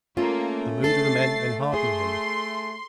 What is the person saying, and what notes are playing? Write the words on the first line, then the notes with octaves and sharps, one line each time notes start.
The mood of the men enheartened him.
A3 A#3 C#4 F4
A4 A6 C7
G#4 C6